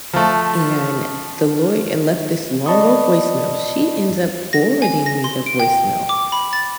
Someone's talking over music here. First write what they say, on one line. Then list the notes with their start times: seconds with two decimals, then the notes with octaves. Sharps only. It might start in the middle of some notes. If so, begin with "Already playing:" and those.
and the lawy uh, left this long old voicemail. She ends up forwarding me the voicemail
0.13 F3 A3
2.66 D5 D#5 A5 B5 C#6 D#6
4.53 A#6
4.82 G#5
5.06 A#6
5.24 C6
5.46 D7
5.60 G5
6.09 D6
6.32 B5
6.53 A6